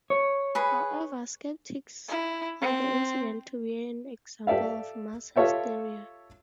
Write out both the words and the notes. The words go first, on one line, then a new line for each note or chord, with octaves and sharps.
However, skeptics hold the incident to be an example of mass hysteria.
C#5
G#4 B4 B5
E4
C4
G4 A4 D5 E5 F5
F4 G4 A4 C#5 E5 G5